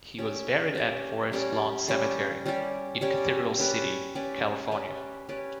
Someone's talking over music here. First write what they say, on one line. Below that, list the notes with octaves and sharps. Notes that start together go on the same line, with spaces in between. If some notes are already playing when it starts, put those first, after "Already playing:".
He was buried at Forest Lawn Cemetery in Cathedral City, California.
C#4 G4 D5
C#4 G4 D5
G3 C#4 G4 D5
G3 C#4 G4 D5
G3 C#4 G4 D5
G3 C#4 G4 D5
C#4 G4 B4 D5
C#4 G4 B4 D5
C#4 G4 B4 D5
C#4 G4 B4 D5